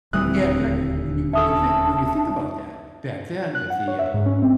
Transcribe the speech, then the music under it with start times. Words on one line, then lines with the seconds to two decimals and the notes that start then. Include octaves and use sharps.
Yeah, in fact, w when you when you think when you think about that back then with the, um,
0.13 D#1 D2 E3 G3 C4 D#6 F#6
1.33 C#4 A4 E5 A5 D#6
3.55 F#6
3.70 F#5
3.88 C#5
3.99 E5
4.14 G#2
4.26 C#4
4.42 C4